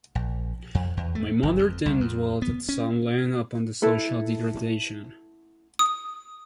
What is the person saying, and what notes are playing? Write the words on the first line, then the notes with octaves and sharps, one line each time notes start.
My mother then dwelt at some length upon the social degradation.
A#1
F2
E2
A3
G1
F2
C2
F2
B3
C#4
E4 A4 B4
D#6